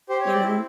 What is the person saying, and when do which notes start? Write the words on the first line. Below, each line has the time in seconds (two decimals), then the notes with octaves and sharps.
you know?
0.09 G4 C5
0.21 C#5
0.27 C4
0.32 D5
0.43 E4